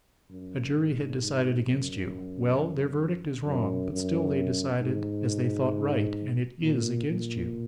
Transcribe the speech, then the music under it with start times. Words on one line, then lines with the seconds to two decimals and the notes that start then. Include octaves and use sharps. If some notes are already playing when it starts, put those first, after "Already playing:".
A jury had decided against you; well, their verdict is wrong, but still they decided as they thought right, and it IS against you.
0.30 F#2
0.75 G#2
1.20 G#2
1.65 F#2
3.46 F#2
3.91 F#2
4.81 G#2
6.62 A#2
7.07 A#2